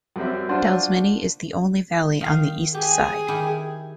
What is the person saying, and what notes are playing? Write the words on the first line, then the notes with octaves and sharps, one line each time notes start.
Dalsmynni is the only valley on the east side.
F#2 F#3 G3 C4 E5
D4 F4 F#4 C5 D5
D#3 F5
G4 G#4 G#5
D#3 E4 G4